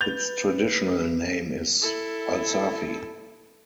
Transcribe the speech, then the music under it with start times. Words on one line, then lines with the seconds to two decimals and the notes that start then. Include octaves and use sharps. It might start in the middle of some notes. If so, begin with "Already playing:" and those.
Its traditional name is Alsafi.
0.01 B4 G6 A6 F7
1.82 E4 A4